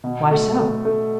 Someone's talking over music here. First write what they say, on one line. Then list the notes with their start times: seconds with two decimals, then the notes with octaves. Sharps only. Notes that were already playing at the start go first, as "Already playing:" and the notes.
"Why so?"
0.04 B2
0.31 A3
0.57 A3
0.85 A3